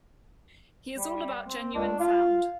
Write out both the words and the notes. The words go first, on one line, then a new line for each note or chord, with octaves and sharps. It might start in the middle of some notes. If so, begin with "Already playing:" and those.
He is all about genuine sound.
G3
C4
C#2 D4
F4 F5